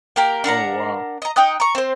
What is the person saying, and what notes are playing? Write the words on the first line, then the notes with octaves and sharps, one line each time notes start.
Oh, wow.
A#3 G4 A#4
D4 A#4 F#5 A#5
D#5 A#5
D#4 G5 D#6 F#6
A#5 C#6
C4 C5